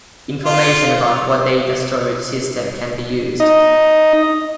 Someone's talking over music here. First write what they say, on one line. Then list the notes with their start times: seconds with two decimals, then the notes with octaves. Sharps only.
Information about what data storage system can be used.
0.45 F4
3.40 D#4 D#5